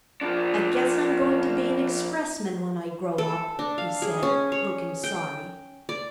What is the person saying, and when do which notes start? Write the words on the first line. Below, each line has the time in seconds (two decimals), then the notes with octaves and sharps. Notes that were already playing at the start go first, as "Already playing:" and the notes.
'I guess I'm going to be an expressman when I grow up,' he said, looking sorry.
0.21 F3 D4
3.18 A4
3.59 D4
3.78 F5
4.02 G#4
4.23 C#4
4.52 C#5
5.04 G5
5.89 D5